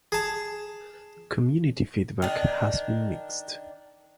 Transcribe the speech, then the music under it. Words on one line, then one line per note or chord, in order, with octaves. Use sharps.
Community feedback has been mixed.
G#4 A5
D#3 D4